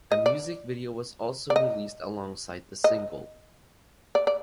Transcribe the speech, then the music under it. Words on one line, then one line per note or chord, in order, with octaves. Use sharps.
A music video was also released alongside the single.
D#5
D5
D5
D#5
D#5
D5
D5